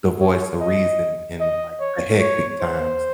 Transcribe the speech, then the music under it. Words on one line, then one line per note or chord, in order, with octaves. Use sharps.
the voice of reason in, like, the hectic times."
C#5
D#5
D#5
C#5
C#5
C5